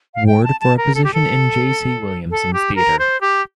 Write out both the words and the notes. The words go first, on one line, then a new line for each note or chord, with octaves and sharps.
Ward for a position in J. C. Williamson's theatre.
F5
G5
A5
A5
A#4
A4
G4
A4
A4
G4
A#4
C5
G4